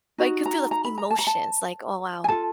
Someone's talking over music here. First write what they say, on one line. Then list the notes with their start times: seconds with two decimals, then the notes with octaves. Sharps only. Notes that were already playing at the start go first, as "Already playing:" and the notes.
like, you could feel the emotions, like, "Oh, wow.
0.18 D#4 F#4
0.46 A#5
0.71 A#5
0.85 B5
0.98 A#5
1.11 A5
1.19 A#5
1.27 A5
2.24 G#5
2.28 F4 A4 A5